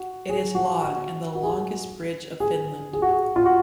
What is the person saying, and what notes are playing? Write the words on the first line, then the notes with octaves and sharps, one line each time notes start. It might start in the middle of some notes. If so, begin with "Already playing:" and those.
It is long and the longest bridge of Finland.
Already playing: F#4
G#4
F#4
F#4
F#4
G#4
F#4
G#4
G#4
F#4
G#4
F4
F#4